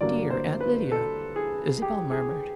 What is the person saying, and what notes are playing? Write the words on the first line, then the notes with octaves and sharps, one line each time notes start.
"Dear Aunt Lydia," Isabel murmured.
G2 D3 F#3 A#3 D5
C5
B4
A4
G#4
G4
G#4